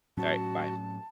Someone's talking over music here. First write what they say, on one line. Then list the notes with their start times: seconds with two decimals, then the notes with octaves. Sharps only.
Alright, bye.
0.17 A2 F#3 C#4 F#4 A5